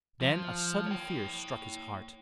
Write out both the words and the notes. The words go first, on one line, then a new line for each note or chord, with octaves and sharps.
Then a sudden fear struck his heart.
F3
C#5 G5